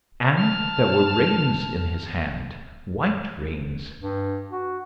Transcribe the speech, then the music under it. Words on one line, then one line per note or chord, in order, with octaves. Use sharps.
And there were reins in his hand--white reins.
A5 F6
G2
F#4